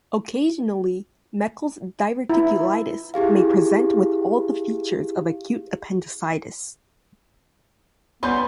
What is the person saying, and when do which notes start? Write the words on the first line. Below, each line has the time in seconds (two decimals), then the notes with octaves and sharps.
Occasionally, Meckel's diverticulitis may present with all the features of acute appendicitis.
2.30 E4
3.14 E4 G4 G#4 F5
8.23 G3 B3 C#4 B4 C6 G6